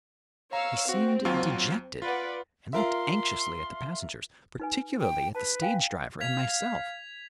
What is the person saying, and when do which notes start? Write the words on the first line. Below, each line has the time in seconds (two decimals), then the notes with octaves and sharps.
He seemed dejected, and looked anxiously at the passengers, particularly at the stage-driver and myself.
0.53 C#5 F5 A#5 E6
0.89 C4 F#4
1.25 D#2 F#3 F4
2.02 F4 B4 D5 F#5
2.73 F4 A#4 E5 C6
4.60 D#4 B4 G#5
5.01 G5
5.35 B4 A5
5.62 F5 G5 G#5
6.21 F5 G#6 B6 F7